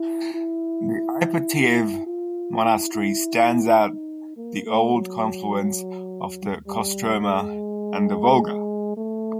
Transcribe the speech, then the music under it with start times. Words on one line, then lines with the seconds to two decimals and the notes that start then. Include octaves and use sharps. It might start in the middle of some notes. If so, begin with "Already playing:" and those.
The Ipatiev Monastery stands at the old confluence of the Kostroma and the Volga.
Already playing: E4
0.34 E4
2.07 F4
2.64 E4
2.93 E4
3.79 D#4
4.37 A#3
4.66 A3
4.95 F#3
6.67 G3
7.24 G#3
8.97 A3